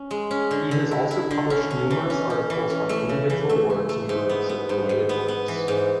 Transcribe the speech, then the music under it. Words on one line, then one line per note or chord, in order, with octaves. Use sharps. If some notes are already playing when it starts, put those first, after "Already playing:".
He has also published numerous articles on individual words and groups of related words.
Already playing: C#4
G#3
C#4
D3
D3
E4
E4
D3
C#4
C#4
E3
C#4
C#4
E3
C#4
A3
C#3
E3
A3
A3
A3
G#2
B3
B3
G#2
G#2
B3
B3
E3
G#2